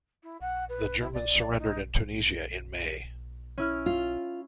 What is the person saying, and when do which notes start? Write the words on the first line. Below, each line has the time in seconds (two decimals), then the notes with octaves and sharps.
The Germans surrendered in Tunisia in May.
0.23 E4
0.41 F#5
0.69 B4
1.00 E4
1.14 D5
1.59 D#4
3.58 C#4 E4 F6
3.86 F4